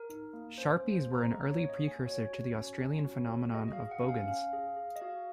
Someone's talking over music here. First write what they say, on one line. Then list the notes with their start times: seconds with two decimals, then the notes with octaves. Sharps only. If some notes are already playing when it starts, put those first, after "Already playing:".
Sharpies were an early precursor to the Australian phenomenon of bogans.
Already playing: A#4
0.09 D#4
0.33 A#3
0.58 C#4 C5
0.76 C5
0.83 A#3
0.96 C5
1.08 G#4
1.14 A#5
1.32 A#3 D#5
1.50 C#5
1.57 C#4
1.69 D#5
1.81 A#3
1.88 G#5
2.06 F#4 C#5
2.31 F#4
2.55 C#4
2.80 C#4
3.04 F#4
3.29 F#4
3.54 G#4 D#5
3.68 D#5
3.73 F5
3.79 G#4
3.91 F#5
4.03 C#4
4.09 F5
4.28 C#4 F5
4.53 G#4
4.77 G#4
4.96 D#5
5.01 F#4 F5